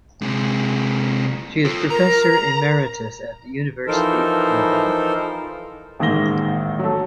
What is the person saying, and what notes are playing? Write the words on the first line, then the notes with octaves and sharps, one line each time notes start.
She is Professor Emeritus at the University of Navarre.
C3 G#3
F4 A4
A#4 A#5
E3 F3 D#4 A4 A#4 C5
A1 G#2 D#3 A#3 A#6 G7
F#3 A3